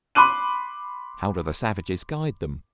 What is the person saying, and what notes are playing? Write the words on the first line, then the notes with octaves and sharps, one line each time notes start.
How do the savages guide them?
B5 C6 D6 F#6 D#7